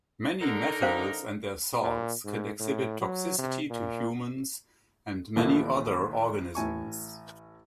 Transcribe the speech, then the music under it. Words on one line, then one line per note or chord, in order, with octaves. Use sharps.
Many metals and their salts can exhibit toxicity to humans and many other organisms.
D3 D#4 A#4
C#4 C5 F5
A#2
G#2
A2
F#3
C3
A#2
A#1 D#2 A#2 E3 F3 A3
A1 A2 G#5 C#6